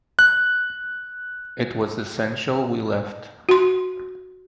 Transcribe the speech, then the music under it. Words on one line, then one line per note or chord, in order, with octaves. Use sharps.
It was essential we left.
F#6
F#4 C6